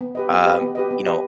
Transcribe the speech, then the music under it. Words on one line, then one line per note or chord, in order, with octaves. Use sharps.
um, you know,
B3
G4 B4 D#5
B3
G4 B4 D#5
B3
G4 B4 D#5
B3
G4 B4 D#5